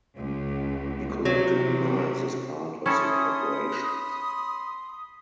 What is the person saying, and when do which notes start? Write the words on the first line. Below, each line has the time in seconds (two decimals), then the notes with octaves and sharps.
He collected knives as part of the preparations.
0.17 C#2
1.25 C3 F#3
2.86 C#4 E4 A4 B5 C6 D#6